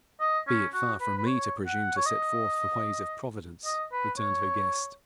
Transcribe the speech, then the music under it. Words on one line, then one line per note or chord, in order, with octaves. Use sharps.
'Be it far from me to presume to set forth the ways of Providence!' returned her guest.
D#5
C#4
F#4
B4
B4
C#5
F#5
C#5
D#5
D#5
B4
C#5